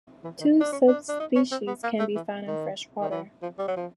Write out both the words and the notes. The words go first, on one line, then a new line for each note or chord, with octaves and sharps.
Two subspecies can be found in freshwater.
E3
D#3
D4
C#4
D4
D4
D#4
C#4
C4
B3
A#3
A3
E3
D#3
D#3
E3
F3
G3
F#3
F3